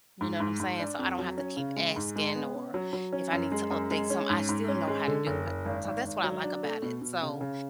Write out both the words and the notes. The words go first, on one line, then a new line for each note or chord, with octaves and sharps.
You know what I'm saying? So I don't have to keep asking or if I need to update some, I still know how to do it. So that's what I like about it. So
G#2
G#2
G#2
D4
F2
F#3
C#4
C#3
G#3
G#2
G#3
B3
C#4
F#3
F#3
C#4
F#2
G#3
F#2
G#3
C#4
G#2
G#2
C#4
G#3
D3
F#1
F#1
G#1
G#1
G#1
F#3
D4
A3
B2
B2
C#3
C#3